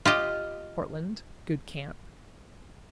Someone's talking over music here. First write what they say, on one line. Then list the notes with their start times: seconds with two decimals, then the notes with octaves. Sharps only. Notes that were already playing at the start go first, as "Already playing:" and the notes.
Portland.--Good camp.
0.05 F4 G4 D#5